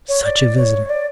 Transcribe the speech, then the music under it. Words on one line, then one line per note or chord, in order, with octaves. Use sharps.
Such a visitor!
C#5
D5
C#5
D5